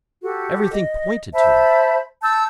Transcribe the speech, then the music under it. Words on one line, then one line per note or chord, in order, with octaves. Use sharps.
Everything pointed to it.
F#4 G4 A4
D#5
C5 E5 A5 B5
A5 E6 G6